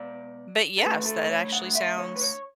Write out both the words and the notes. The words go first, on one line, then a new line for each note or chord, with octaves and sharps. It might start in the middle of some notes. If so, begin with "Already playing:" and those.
But, yes, that actually sounds
Already playing: B2 G#3 D5
A4
D3 A3 B4
A4
C#5
F#5
E5
C#5
B4
C#5